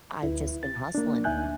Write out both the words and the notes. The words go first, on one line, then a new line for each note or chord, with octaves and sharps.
I've just been hustling
D2 E4 B4
A6
A#3 D4
D2 D#4 E5 G#5 F#6 G6